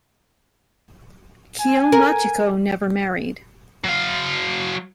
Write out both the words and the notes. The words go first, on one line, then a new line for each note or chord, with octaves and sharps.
Kyo Machiko never married.
G#5
A#4
F#3 F5